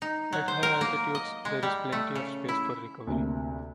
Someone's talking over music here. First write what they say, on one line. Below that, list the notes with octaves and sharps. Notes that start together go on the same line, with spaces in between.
At high altitudes, there is plenty of space for recovery.
D#4
F#3
C5
A#4
A#3
D#5
G#3
G3
A3
C#3
E4
D2 C3 A#3